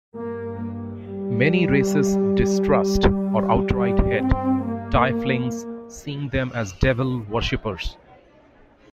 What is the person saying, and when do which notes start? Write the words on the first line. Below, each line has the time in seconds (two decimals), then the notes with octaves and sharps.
Many races distrust or outright hate Tieflings seeing them as devil worshippers.
0.15 G2 A#3
1.05 G3
3.74 G2 G3
4.20 C4
4.64 A#3